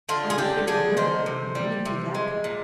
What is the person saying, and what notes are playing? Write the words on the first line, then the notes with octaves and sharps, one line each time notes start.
I hope they won't murder him, or anything of that kind.
D3 F4
G#4
D3 G4
D3 G#4
D#3 C5
C3
G3
C3
G#3
A#2